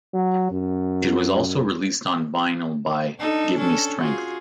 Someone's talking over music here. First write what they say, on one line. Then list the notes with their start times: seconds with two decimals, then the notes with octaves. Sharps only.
It was also released on vinyl by Give Me Strength.
0.14 F#3
0.51 F#2
3.19 D4 D#4 A4
3.56 C#4 D4 A4
3.99 F4 F#4 G#4